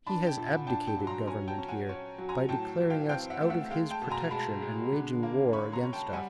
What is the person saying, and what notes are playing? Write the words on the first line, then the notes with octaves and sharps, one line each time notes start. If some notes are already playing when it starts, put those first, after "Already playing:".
He has abdicated Government here, by declaring us out of his Protection and waging War against us.
D4 A5 B5
G5 A5
A#2
F#5 G#5
D4 G5 A5
G5 A5
F#3
A#5 C6
C#4 G#5 A#5
G5 A5
C#4
F#5 G#5
C#4
F#3
G#5 A#5
A2 G5 A5
E3
F5 G5
C4 F5 G5
E5 F#5
A3
E5 F#5
G#3 F5 G5
G5 A5
B2
G#5 A#5
G#3 A5 B5
G#3
D3
A#3
C#4 B5 C#6
A#5 C6
C#4
G5 A5
G3 F#5 G#5